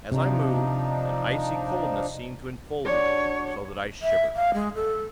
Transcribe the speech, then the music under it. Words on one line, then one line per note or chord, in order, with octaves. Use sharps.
As I moved, an icy coldness seemed to enfold me, so that I shivered.
C3 F3 D4 D#4
D4 F#4 C#5 D6
E5
F5
G#3
A4